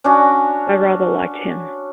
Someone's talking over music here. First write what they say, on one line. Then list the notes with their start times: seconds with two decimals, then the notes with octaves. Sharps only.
I rather liked him.
0.04 C#4 D4 F#4